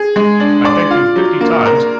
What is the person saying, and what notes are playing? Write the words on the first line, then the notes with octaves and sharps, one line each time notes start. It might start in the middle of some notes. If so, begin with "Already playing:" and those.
I thank you fifty times.
Already playing: G#4
G#3
D4
D5
F4
F#3
A#3
A#4